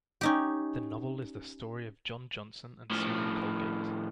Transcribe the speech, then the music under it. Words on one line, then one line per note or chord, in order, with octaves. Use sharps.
The novel is the story of John Johnson and Susan Colgate.
C#4 D#4 G4
A2 F3